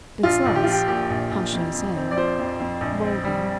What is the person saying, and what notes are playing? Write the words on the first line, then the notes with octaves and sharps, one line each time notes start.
It's less--how should I say?--vulgar.
A#1 F4
A#1
G4
F3 F4
G4
A#2 G4
A#1
A#1
F2
F2
C4
D5
F3 C5
F2
F2
A#1
C4
G3